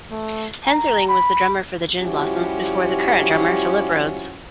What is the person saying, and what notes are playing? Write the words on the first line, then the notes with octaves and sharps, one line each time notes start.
Henzerling was the drummer for the Gin Blossoms before the current drummer, Phillip Rhodes.
A3
A#5
B5
F3 G3 C#4 E4 F#4 G4